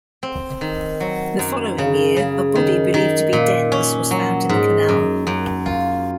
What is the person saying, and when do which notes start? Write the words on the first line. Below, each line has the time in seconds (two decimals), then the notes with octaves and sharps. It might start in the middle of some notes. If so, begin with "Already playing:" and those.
The following year, a body believed to be Den's was found in the canal.
0.23 C4
0.61 D#3
1.00 F#3
1.39 F#2
1.78 C#3
2.16 C#3
2.55 D#3
2.94 D#3
3.33 A#2
3.72 C#4
4.11 F#3
4.49 G#2
4.89 F#2
5.27 F#2
5.66 F4